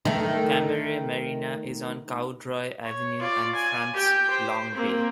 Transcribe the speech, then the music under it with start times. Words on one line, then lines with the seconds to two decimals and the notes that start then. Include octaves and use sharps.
Cammeray Marina is on Cowdroy Avenue and fronts Long Bay.
0.05 D#3 A3
2.84 C#5
3.20 F4 D5
3.55 G#5
3.93 G4 G5
4.30 C5
4.74 A#3 C4